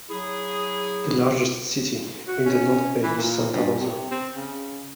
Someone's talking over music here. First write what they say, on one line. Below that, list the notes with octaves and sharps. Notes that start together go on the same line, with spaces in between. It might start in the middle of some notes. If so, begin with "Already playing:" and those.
The largest city in the North Bay is Santa Rosa.
F#3 E4 G#4
F#4
C#4
E3
A#2
G2
C3
C4
C#3